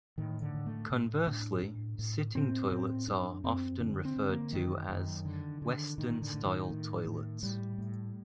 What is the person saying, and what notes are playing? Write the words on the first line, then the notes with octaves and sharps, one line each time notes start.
Conversely, sitting toilets are often referred to as "western-style toilets".
A2 D#3
D3
A2
A3
A2
A2 D4
A2
A2
A2 C4
A2 C4
F#2 D4
F#2 C4
D3 D4
C4
D3
A#3
F#2 D#3
F#2
D3
D3
A2 D#3
D3
A2
D#3
A2
A2
A2 G3
A2